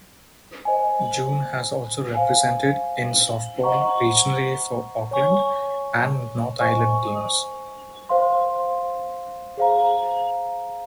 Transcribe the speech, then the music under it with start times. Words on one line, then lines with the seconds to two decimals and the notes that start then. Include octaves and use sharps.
June has also represented in softball regionally for Auckland and North Island teams.
0.65 C5 D#5 G#5
2.14 C5 F5 G#5
3.64 C5 D#5 F#5 A#5 C#6
5.11 C#5 G#5 C#6
6.61 C5 D#5 G#5 C#6
8.09 C5 F5 C6
9.57 G#4 C5 F5 A#5